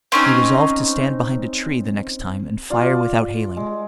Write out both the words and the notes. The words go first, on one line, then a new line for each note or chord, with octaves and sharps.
He resolved to stand behind a tree the next time and fire without hailing.
C4 C#4 D#4
F4 D5
G#3